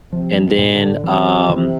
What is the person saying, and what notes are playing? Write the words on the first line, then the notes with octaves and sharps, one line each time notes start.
and then, um,
C3 F3
B2
A2
D3
C3 E3
C3 E3